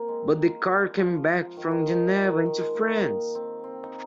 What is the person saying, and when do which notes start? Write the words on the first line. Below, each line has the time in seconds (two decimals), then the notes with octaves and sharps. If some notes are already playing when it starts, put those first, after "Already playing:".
But the car came back from Geneva into France!
Already playing: A#3 C4
0.08 G#3
0.98 F3
1.57 D#3
1.71 D#3
1.87 F3
2.16 D#3
2.46 D#3
2.60 G#3
2.75 A#3
3.35 C4
3.64 C4
3.83 D#4